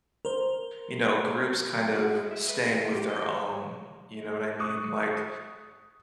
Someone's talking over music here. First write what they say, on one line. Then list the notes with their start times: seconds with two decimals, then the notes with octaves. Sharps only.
you know, groups kind of staying with their own, you know what I mean? Like,
0.25 A#4 C5
1.93 F#4
2.13 G#3
2.31 E5
2.49 B4
2.69 E3
2.92 G4
3.09 D#5
3.46 C#5
4.60 C#6 D#6 F#6